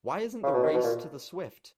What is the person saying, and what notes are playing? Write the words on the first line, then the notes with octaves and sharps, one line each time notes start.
Why isn't the race to the swift?
C#3
B2
D#3
B2
A#2